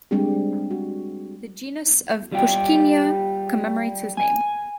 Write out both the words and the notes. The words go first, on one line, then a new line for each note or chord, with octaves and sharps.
The genus of Puschkinia commemorates his name.
G3 G#3 C4 D4 G4
F#4
G3 F4 G4
G#5